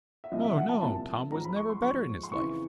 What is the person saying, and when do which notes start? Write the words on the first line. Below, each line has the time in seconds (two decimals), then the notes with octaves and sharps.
"No, no, Tom was never better in his life."
0.24 E5
0.32 C2 A#2 F3 D#5
0.45 E5
0.57 F#5
0.69 A5
0.81 C2 A#2 F3 A5
1.32 G#2 F3 A#5
1.45 B5
1.56 C#6
1.69 C6
1.82 G#2 F3 C#6
2.23 C6
2.32 F2 C#3 E3 C#6